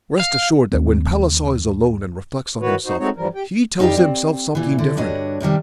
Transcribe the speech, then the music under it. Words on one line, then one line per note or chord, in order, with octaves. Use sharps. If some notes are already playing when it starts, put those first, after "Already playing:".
Rest assured that when Palissot is alone and reflects on himself, he tells himself something different.
F5
D#2 A3 C4
D#3 E3 F#4 B4 C#5
D#4 F#4 C5
G#3 A3 C4 D#4 F#4 C#5
G2 E3 F3 G3 A#4
G4 G5
F2 D#4 G4 D5 F5 G5
C4
A#2 E3
D3
G2 D3 D4 F#4 C#5 D#5
G#2 C3 D#3 G3